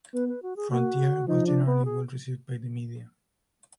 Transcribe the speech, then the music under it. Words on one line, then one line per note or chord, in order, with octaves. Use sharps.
"Frontier" was generally well received by the media.
B3 B4
B4
F#4
G#4
A#3 F#4
F3 D#4
D4
B3
G#4